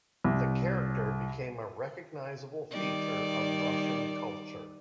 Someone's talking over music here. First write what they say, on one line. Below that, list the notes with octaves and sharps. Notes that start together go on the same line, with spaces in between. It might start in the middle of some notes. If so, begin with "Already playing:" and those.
The character became a recognizable feature of Russian culture.
C2
D#3 G3 D5